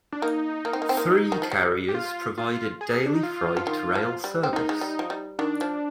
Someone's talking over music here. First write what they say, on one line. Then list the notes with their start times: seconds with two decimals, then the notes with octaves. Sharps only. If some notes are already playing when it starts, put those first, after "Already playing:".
Three carriers provide daily freight rail service.
0.12 D4
0.22 A#3 D#4
0.65 A#3
0.73 C4
0.82 A#3
0.89 C4
0.97 A#3
1.32 D#3
1.42 F3
1.52 G3
1.89 G4
1.95 F4
2.38 F4
2.81 G#4
3.06 D4
3.14 D#4
3.23 F4
3.57 F3
3.67 D#3
3.95 F3
4.24 G3
4.43 C4
4.53 A#3 D#4
4.69 G#3
4.81 G3
4.99 F3
5.10 G3
5.39 D#3 D4
5.61 F3